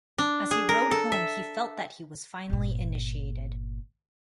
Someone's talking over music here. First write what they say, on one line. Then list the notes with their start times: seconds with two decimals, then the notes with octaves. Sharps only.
As he rode home he felt that he was finally initiated.
0.18 D4
0.51 G#4
0.69 A#4
0.91 A4
1.12 E5
2.50 G1 A#2